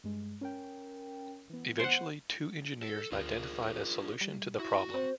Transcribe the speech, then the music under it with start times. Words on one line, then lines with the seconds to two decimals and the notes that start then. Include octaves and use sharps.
Eventually two engineers identified a solution to the problem.
0.04 G2 G#3
0.41 C#4 A#4 G5
1.50 E3 B3
1.79 C5 F#5
2.83 A4
3.12 D2 F4 G#4 A#4
4.21 G3
4.60 E4 F#4
4.94 C4 C5